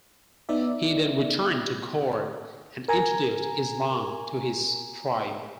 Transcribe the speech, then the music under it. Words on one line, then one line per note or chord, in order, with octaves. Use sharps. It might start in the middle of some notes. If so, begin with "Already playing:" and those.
He then returned to Ghor and introduced Islam to his tribe.
B3 D#4 D5 E5
A#4 G#5 A#5